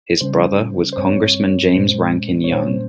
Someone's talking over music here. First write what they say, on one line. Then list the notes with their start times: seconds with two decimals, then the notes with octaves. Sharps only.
His brother was Congressman James Rankin Young.
0.21 C#3 G3 C#4 C5
0.93 C5
0.97 G2 G3 C4 C#5
1.75 A#2 G#3 C#4 C5
2.44 C#5
2.51 A#2 G3 A#3 C#4 C5
2.67 C5